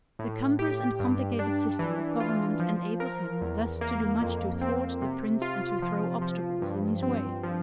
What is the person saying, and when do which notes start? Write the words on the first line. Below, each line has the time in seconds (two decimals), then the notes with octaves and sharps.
The cumbrous and complicated system of government enabled him thus to do much to thwart the prince and to throw obstacles in his way.
0.19 A2
0.59 G4
1.00 G2
1.39 D4
1.79 E3
2.20 F4
2.60 F3
3.00 A#4
3.41 E2
3.81 A#3
4.22 F2
4.61 C4
5.02 C3
5.42 F4
5.82 F3
6.22 F3
6.62 G2
7.03 C4
7.43 F3